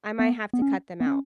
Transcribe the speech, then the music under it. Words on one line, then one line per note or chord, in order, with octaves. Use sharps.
I might have to cut them out
B3
B3
C#4
B3
C#4